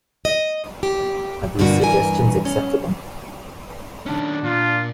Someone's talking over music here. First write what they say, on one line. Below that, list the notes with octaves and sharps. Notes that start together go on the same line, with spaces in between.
Are these suggestions acceptable?
D#5
G4
G2 B2 D3 A#3 F4 F#4
G2 E3 A#4 G#5
C#4
D#3 C#4 D4
A#2 F4